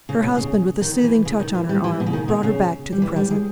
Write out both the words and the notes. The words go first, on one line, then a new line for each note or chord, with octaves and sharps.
Her husband, with a soothing touch on her arm, brought her back to the present.
C#3
B2
C#3
D#3
E3
C#3
D#3
E3
G3
E3
B2
C#3
D#3
B2
C#3
G3
E3
G3
G#3